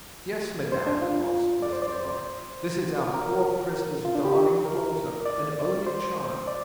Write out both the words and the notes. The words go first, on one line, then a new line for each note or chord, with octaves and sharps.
"Yes, madame," answered Mr. Lorry; "this is our poor prisoner's darling daughter, and only child."
C5
D4
F4
D5
C5
D5
C5
A#4
F4
D4
G4
A#4
D5
C5
D5